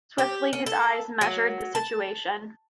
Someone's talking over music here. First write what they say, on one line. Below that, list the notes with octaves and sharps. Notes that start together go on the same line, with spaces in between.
Swiftly his eyes measured the situation.
G4
C#4
A4
F#3
A5